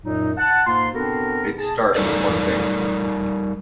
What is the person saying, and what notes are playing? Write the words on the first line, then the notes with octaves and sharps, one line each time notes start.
It start with one thing.
F#2 A#2 F#3 D#4
F#5 A5
G#2 A#3 F4 C6
B3 C4 D4 F#4 A4 A#4
G#4 A5
G3 D#4 A4 A#4 D5